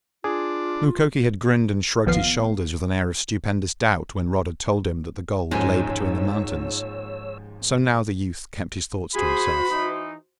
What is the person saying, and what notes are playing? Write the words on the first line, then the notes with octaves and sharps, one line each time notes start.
Mukoki had grinned and shrugged his shoulders with an air of stupendous doubt when Rod had told him that the gold lay between the mountains, so now the youth kept his thoughts to himself.
D4 F4 G#4
A1 D#2 F3 B3 F5 C7
D#2 G#2 F3 C#4 D#4 C#5 G#5 E6
F#4 G#4 C5 B5
E3 D#4